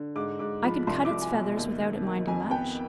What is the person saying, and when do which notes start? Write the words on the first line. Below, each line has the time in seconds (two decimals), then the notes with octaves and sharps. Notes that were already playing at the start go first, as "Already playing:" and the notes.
I could cut its feathers without it minding much.
Already playing: D3
0.16 G#2 D6
0.39 G#2 D6
0.63 F3 B5
0.87 C2 C6
1.05 D6
1.11 C2
1.22 G#5
1.33 B2
1.57 D#2
1.81 D#2
2.04 D#3
2.27 F2 G#5
2.51 B3 G5